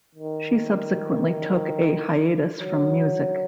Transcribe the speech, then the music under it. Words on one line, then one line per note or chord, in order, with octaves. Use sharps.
She subsequently took a hiatus from music.
D#3
F#3